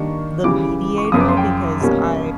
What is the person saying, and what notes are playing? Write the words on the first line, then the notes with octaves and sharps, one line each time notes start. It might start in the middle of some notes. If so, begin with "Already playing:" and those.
the mediator, because I
Already playing: D#3 G3 A#3 D4 C#6
C#3 E3 G3 D6
C#6
D6
F#2 C#3 F3 D#6
D6
C6
G5
B2 G3 A#3 C#4